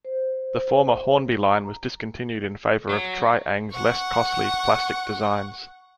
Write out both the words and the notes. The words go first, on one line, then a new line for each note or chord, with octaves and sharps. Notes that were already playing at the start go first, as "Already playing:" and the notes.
The former Hornby line was discontinued in favour of Tri-ang's less costly plastic designs.
C5
A#5
F#3
F#5 C#6